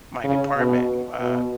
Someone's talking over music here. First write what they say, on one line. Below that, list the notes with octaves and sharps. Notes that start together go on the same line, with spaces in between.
my department, uh
C#3
B2
B2